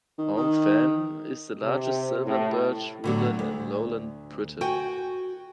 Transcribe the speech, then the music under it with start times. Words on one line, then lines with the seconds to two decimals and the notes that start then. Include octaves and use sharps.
Holme Fen is the largest Silver birch woodland in lowland Britain.
0.18 D#3
0.37 D#3
1.62 C3
2.24 A2
3.04 A2 D3 F#3
3.39 D2
4.61 F#4 G5 G#5